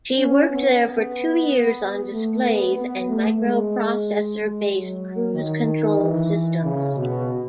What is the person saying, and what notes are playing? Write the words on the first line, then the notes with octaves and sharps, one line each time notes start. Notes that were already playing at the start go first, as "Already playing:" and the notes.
She worked there for two years on displays, and microprocessor-based cruise control systems.
C#4
B3
A3
B3
B3
A3
G#3
F#3
D#3
E3
C#3
B2